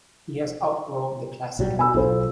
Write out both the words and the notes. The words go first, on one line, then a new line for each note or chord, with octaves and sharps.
He has outgrown the classic idea...
B1 F#3 G3
B2 G#5 B5 E6
B1 F4 A4 C5